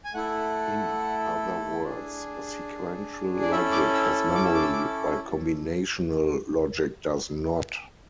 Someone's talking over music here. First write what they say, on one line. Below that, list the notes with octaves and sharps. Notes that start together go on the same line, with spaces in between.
In other words, sequential logic has "memory" while combinational logic does not.
G#5
A3 E4 A4 F#5
D4 G#4
D5
C#4 E4 A4 E5
D6
E6
E6
D6
E6
D6
E6
D6